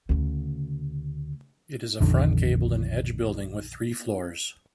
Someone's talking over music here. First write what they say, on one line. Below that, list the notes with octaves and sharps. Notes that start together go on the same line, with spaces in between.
It is a front-gabled and edge building with three floors.
D2 C#3
A#1 F2 D3 D#3